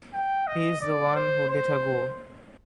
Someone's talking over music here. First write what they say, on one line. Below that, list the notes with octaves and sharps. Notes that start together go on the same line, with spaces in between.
He's the one who let her go.
G5
D#5
D5
C5
C5